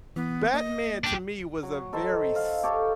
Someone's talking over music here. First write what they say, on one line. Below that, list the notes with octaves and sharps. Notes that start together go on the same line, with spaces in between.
Batman to me was a very s
E3 B3
A#3 D#5
D4 G4
F#3
D#4 A4 C5
F5
G4 A4 C#5